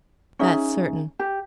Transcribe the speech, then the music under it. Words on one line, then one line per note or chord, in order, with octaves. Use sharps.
"That's certain."
C#4 D#4 G#4 E5
G4